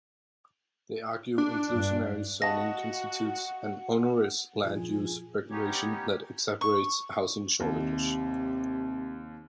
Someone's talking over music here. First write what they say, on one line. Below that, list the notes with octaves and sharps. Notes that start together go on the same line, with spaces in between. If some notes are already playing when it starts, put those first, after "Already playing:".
They argue inclusionary zoning constitutes an onerous land use regulation that exacerbates housing shortages.
D4
G2
F#4 D#5 F5 F#5 A5 A#6
F#2 A#2 F3 F4 G#4
B3 C#4 D#4 G4 C#5
C#6
D#2 C3